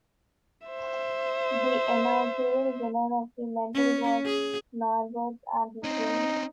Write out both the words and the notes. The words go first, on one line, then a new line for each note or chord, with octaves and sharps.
The inaugural winner of the medal was Norwood's Alby Green.
C5 E5
C#4
G#4
C4 C#4 D#4